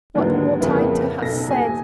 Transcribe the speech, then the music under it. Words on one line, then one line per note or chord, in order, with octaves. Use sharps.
What ought I to have said?
D#2 G#2 D3 F#3 B3
F2 A#2 C#3 A#3 B3 E4
B1 A4 A#6
D#1 G#5